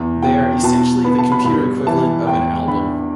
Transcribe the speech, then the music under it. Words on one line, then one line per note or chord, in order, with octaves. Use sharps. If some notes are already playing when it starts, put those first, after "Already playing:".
They are essentially the computer equivalent of an album.
Already playing: E2
B2 G5
B2 A5
B3 B5
A5
B5
G2 B5
E3 A5
E2 G5
D3 B5